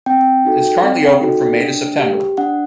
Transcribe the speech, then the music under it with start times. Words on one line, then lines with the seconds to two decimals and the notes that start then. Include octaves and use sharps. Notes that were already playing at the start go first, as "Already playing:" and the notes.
It is currently open from May to September.
0.06 C4 G5
0.45 D#4 F#4 A4
0.83 C4
1.21 D#4 F#4 A4
1.60 D4
1.99 G4
2.38 D4 F#5